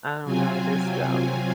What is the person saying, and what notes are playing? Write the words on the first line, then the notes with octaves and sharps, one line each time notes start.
I don't know, I just, um,
C3 F#3 C4 F4 G#5